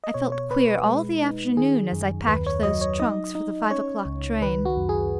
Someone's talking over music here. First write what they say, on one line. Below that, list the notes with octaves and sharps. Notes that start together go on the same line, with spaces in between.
I felt queer all the afternoon as I packed those trunks for the five o'clock train.
D#5
B2 C#5
C#5
B2 B4
B4
G#3
D#4
D#3 G#4
F#2
D#2 B4
C#5
F#3 D#5
C#5
D#4 D#5
D#4
C#4 C#5
C#2
D#3 B4
F#4
F#2
G#4